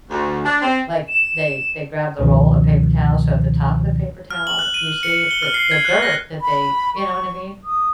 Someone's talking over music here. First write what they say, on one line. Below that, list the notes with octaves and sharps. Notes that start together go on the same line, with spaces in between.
like, they they grab the roll of paper towels, so at the top of the paper towel, you see the the dirt that they You know what I mean?
D2
D4
C4
E7
C#2 F#2 B2 D#3 F3
F6
F#7
F#6
D#7
C#7
G7
F6
C7
G#6
F#6
A#6
B5
C#6
D#6